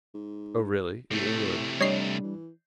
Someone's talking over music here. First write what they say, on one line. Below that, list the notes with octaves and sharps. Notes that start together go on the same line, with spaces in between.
"Oh, really--in England?"
G#2
A2 C3 A3
G3 D4 C#5 D#5 C7
E3